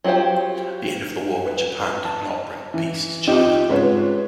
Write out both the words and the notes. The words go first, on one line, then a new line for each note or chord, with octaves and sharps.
The end of the war with Japan did not bring peace to China.
F#3 F4 G4 C5 G5
B4
A5
E3
C4 D#4 F4 G4 G5
G#2 C#3 F4 B4 C#5